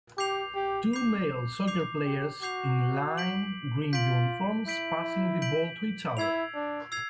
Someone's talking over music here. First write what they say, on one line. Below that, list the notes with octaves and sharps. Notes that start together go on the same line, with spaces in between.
Two male soccer players in lime green uniforms passing the ball to each other.
G4 D6 G6 C7 F7
G4
D6 G6 C7 F7
D6 G6 C7 F7
G4
F#4 D6 G6 C7 F7
G6 B6 D7 F#7
F4 G6 B6 D7 F#7
E4 G6 B6 D7 F#7
G6 B6 D7 F#7
E4 E6 G#6 C7 F7
D4
E6 G#6 C7 F7